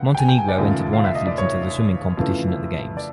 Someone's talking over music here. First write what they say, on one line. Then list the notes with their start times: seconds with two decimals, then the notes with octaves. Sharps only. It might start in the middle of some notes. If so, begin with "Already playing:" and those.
Montenegro entered one athlete into the swimming competition at the games.
Already playing: C#2 F#5 G5
0.15 G5
0.19 G#5
0.28 G5
0.38 G#5
0.48 D5
0.58 E1 D#2 C#3 F3 A3
0.93 F5
1.04 E5
1.15 D#5
1.27 D5
1.38 C#5
2.18 F2 C#3 E3 A3
2.97 D5